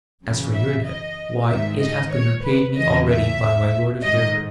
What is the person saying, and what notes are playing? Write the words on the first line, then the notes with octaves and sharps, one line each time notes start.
As for your debt, why, it hath been repaid me already by my lord of Hereford.
F#2 C#3 E3
E5
D#5
G#2 D#3 E5
D#5
C#5
B4
E2 C#3 E3 D#5
E5
G#2 D#3 D#5